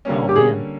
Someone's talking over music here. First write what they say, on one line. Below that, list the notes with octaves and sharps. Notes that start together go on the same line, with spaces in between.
Oh, man.
D3 G3 A#3 C#4
G4
G#4